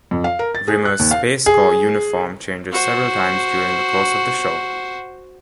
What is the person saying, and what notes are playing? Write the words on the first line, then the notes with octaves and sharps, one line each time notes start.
Rimmer's Space Corps uniform changes several times during the course of the show.
F2
F5
A#4
A6
G#4
F#6
D#2
F5
G#4
F#4 C5